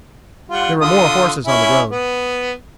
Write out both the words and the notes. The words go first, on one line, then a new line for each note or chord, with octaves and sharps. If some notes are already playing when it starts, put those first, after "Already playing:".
There were more horses on the road.
G3 F4 F#5
D3 F4 D#6
C#4 E4 G#5
B3